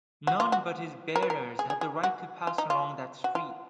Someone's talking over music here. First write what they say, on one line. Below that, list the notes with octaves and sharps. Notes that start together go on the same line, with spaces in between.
None but his bearers had the right to pass along that street.
F#4
F4
F#4
A#4
B4
A#4
G#4
G#4
G#4
F#4
F4
D#4
F4
F#4
F4